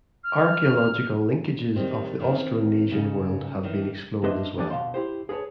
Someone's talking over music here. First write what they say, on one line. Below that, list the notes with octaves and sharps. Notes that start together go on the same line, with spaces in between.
Archaeological linkages of the Austronesian world have been explored as well.
F6
D#3 G3 C4
D#3 E3 C4
G#2 C#3
D#3 E3
D4 B4 C5 D#5 E5
D2 G3 D4 D5 G#5
B2 F5 A5 C6
E4 G4 C5
G#4 A#4 B4 C#5 A5